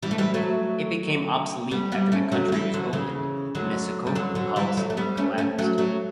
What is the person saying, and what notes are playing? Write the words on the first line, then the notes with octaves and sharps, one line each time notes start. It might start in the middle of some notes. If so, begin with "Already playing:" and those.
It became obsolete after the country was opened and the "sakoku" policy collapsed.
E3 G3
A3
E3 G3
F#3 A3
G3 B3
G3 B3
A3 C#4
F#3 A3
A3
E3 G3
D3 F#3
C#3 E3
D3 F#3
G3
D3 F#3
D3 F#3
E3 G3
F#3 A3
A3
G3 B3
A3 C#4
A3 C#4
F#3 A3
F#3 A3